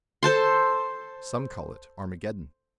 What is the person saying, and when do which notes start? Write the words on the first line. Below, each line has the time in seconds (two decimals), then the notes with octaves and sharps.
"Some call it Armageddon."
0.23 A4 C5 A5 C6